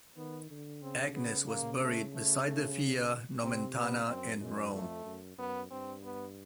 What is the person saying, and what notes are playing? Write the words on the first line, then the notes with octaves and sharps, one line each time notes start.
Agnes was buried beside the Via Nomentana in Rome.
D#3 B3
D3
C#3 C4
B3
A#3
A3
A3
A3
C3 C4
B3
F#2 C4
F#2 G#3
F2 A3
F#2
F#2 B3
G2 C4
B3